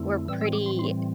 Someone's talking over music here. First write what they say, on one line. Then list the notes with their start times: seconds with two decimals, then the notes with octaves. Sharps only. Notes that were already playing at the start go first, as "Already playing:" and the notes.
we're pretty
Already playing: F2 D3 A3 C4 E4
0.28 A2 E3 G3 C4 E6
0.41 E6
0.53 D6
0.66 C6
0.79 C6